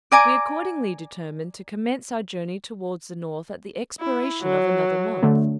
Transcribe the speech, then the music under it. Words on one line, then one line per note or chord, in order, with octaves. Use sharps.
We accordingly determined to commence our journey towards the north at the expiration of another month.
D5 G#5 A#5 D6
E4
F#3
D3 A3